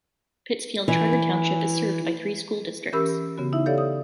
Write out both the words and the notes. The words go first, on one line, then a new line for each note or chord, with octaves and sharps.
Pittsfield Charter Township is served by three school districts.
E3
E3 C#4 G4 A#4 B5 E6
C#3 B3 F#4
D#4 E4 E5
G4 A4 C#5 D5 F5
D#6